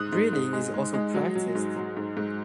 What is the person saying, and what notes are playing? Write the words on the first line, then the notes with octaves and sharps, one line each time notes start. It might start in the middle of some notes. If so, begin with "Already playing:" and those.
Breeding is also practiced.
Already playing: G#2 D#6 F#6
G#2
G#2
G#3
G#3
G#3
F#3
F#3
G#2
F#3
G#2
G#2